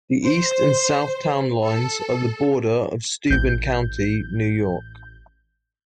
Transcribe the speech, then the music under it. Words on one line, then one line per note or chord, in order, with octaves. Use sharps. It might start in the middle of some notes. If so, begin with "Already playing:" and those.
The east and south town lines are the border of Steuben County, New York.
C5
A4
A1 G6